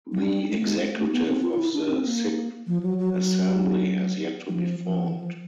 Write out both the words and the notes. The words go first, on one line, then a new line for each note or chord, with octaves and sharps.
The Executive of the Sixth Assembly has yet to be formed.
F#3
G3
G#3
A3
G#3
A3
B3
C4
F4
F4
E4
D4
C4
A#3
F3
F#3
F#3
F#3
F#3
F3
F3
E3
F3